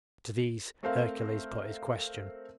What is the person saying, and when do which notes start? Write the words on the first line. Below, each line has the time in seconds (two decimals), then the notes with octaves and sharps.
To these Hercules put his question.
0.83 A3 C4 A#4 C5 E5 F5